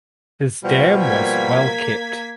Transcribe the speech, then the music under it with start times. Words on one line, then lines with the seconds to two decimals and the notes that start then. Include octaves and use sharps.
His dam was Well Kept.
0.63 B2 F3 G3
1.01 A#3 G#6 B6